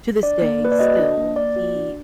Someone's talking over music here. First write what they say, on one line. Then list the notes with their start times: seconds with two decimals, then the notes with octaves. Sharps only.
to this day, still, he
0.23 D4 D5
0.42 A#3
0.60 A#3 B4
0.72 D5
0.79 F#4 D#5
0.99 D4
1.17 A#3
1.36 A#3 D5
1.56 F#4
1.75 D4